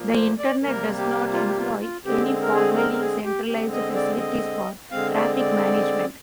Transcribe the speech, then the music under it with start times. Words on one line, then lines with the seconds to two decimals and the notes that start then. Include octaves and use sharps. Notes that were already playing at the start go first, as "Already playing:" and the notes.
The Internet does not employ any formally centralized facilities for traffic management.
Already playing: A#2 F3 A#3
0.14 C5
0.39 D5
0.62 C3 G3 A#3 A#4
0.97 G4
1.33 F4
1.48 G4
1.57 F4
1.81 F4
2.05 D3 G#3 C4 G4
2.42 A#4
2.53 G#4
2.76 A#4
2.93 A#4
3.01 G#4
3.24 G4
3.48 D3 G#3 C4 G4
3.72 D#5
3.95 D5
4.19 D#5
4.91 D3 G#3 C4 F5
5.15 D5
5.39 D5